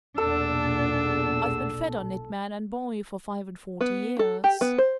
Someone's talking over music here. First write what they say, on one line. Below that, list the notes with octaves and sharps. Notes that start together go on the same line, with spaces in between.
"I've been fed on it, man and boy, for five-and-forty years."
B1 E2 A#2 D4 A4 E6
B3
A4
G4
B3
C5